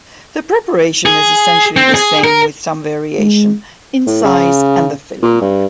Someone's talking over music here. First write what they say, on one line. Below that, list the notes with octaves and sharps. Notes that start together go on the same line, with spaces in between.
The preparation is essentially the same with some variation in size and the filling.
G#4
C4
G#4
A#4
G#3
A2
C#3
A#2
G2